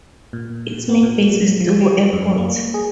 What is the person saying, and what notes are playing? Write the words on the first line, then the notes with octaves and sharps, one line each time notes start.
Its main base is Dubbo Airport.
A#2
B3
A#2
F#3
F3
G3
F#2
A#3
G#4